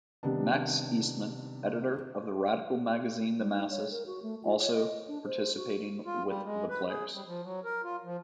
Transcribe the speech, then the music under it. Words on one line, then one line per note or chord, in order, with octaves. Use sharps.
Max Eastman, editor of the radical magazine The Masses, also participating with the Players.
C3 D#3 G3 B3 D4
G3
D#4
C#5
A#4
F#4
A3
F4
C#5
D#5
D4
C5
F#4
F4
G3
G#3
B4
G#4
G3
F3
F#3
A#4
F4
F3